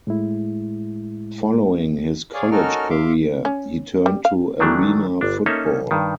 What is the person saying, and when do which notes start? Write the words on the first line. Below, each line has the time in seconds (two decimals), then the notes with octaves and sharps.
Following his college career, he turned to Arena Football.
0.07 A2 G#3 E4
2.34 G#4 C#5 D5 F5 G#5
2.51 C#4 D#4 F#4 A4 A#4 F6
2.90 E5 F5 C6 D6
3.45 C#4
4.06 G3
4.25 F5
4.60 D#3 E3 F#3 A3 D4
5.21 G1 D4
5.46 A#3 C#4 D#4 A4 C#5 E5
5.91 G2 D#3